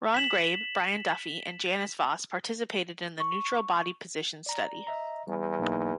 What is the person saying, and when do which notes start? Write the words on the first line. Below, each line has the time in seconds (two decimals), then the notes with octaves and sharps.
Ron Grabe, Brian Duffy and Janice Voss participated in the Neutral Body Position study.
0.14 B6 E7 F#7
3.20 C#6
4.46 D5 A#5
4.87 D#5 E5 A#5
5.28 E2 G3
5.59 B1 A#3 D#4